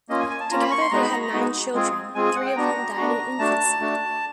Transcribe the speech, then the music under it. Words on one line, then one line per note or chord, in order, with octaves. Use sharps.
Together they had nine children, three of whom died in infancy.
A#3 C#4 F4 D#5
G#5
G#5
A5
A#3 C#4 F4 A#5
B5
C#6
C6
G#3 B3 D#4 F#4 A#5
B5
A#5
A#5
G#3 B3 D#4 F#4
G#3 C4 F4 G#4
G#3 C4 F4 G#4 G#5
G#5
F#5
G5
B3 D4 F#4 A#5
B3 D4 F#4
A3 D4 F#4 A5
A3 D4 F#4